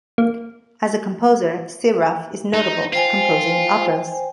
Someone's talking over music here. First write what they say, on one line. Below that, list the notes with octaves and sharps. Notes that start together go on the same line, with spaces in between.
As a composer, Serov is notable for composing operas.
A#3
D#4
F4 C5 G5 G#5